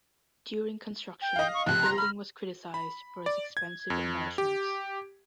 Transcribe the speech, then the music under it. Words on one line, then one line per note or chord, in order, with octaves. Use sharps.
During construction, the building was criticised for its expensive embellishments.
G5
D#5 F5
C#6
F1 F2 F#6
A#5 C6 A#6
B5 F6
B5
D5
G#6
F2
G4